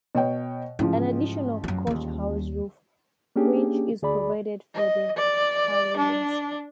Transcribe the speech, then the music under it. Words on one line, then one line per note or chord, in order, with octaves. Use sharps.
An additional coach house roof winch is provided for the halyards.
B2 C#5 G5
A1 G#2 C#3 F3
F#2 F#3
D#2 G3
A#3 C#4 D4 G4 G#4
D2 G#4 D5 B5
D#5
D5
D4